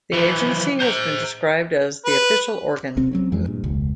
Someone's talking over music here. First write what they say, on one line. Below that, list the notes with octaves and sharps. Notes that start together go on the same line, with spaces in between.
The agency has been described as the official organ.
E3 F3
C5 A#5
B4
B1 C3 C4
F#3 C4 C#4
F2 E3 G#3
G2 A#2
E1 C#2